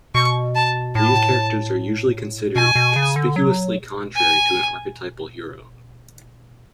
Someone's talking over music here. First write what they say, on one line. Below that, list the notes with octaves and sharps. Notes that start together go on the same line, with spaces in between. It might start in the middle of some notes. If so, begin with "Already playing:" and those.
These characters are usually considered "conspicuously contrary to an archetypal hero".
B2 C#6
A5
A2 A5
B2 G#5
B2
C#3
D3
F#3
G#5